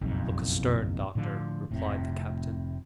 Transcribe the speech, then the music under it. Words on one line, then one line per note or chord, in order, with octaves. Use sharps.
"Look astern, doctor," replied the captain.
F#1 B1 F2 G#2
A2 D3 F3
F1 A2 C3